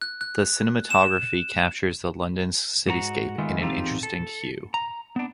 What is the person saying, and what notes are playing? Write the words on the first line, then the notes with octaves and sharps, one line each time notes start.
The cinematography captures the London cityscape in an interesting hue.
F#6
F#6
E7
G#2 F#4 A#5
D#3 G#3 A3 B3 F4
E2 C4 D#4 F4 G4 A4
A4
A#5
B3 D4